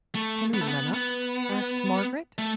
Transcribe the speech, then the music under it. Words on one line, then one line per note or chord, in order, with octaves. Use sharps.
Henry Lennox?' asked Margaret.
A3
B3
A3
B3
B3
A3